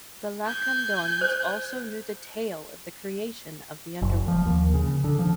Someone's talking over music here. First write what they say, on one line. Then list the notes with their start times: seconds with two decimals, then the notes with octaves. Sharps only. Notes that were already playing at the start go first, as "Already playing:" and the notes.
The Lacandons also knew the tale of the creation of the Underworld.
0.45 G#5 G6
1.21 C5
4.02 F#1
4.28 F3
4.46 D#2
4.74 C#3
5.04 D3
5.19 F3